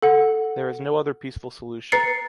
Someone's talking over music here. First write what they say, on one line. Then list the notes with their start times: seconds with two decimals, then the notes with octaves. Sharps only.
There is no other peaceful solution.
0.02 A4 F#5
1.92 B4 A#5 A6 C7 C#7